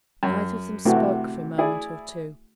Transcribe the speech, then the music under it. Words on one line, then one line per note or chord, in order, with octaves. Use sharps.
Neither of them spoke for a moment or two.
F#2
C3 E3 A3 F#4
E4 G#4 D5